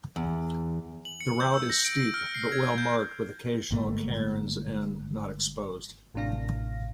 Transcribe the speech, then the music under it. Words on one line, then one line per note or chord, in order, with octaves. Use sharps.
The route is steep, but well marked with occasional cairns and not exposed.
E2
F#7
C#7
G6
E6
A#6
D7
A#6
F6
C7
G#6
G6
G1 G#2 A3 A#3
A1 A2 C3 D4 F5 A#6